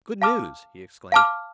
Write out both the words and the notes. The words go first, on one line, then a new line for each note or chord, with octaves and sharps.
"Good news!" he exclaimed.
F5 A5 D6 F6
F5 A5 D6 F6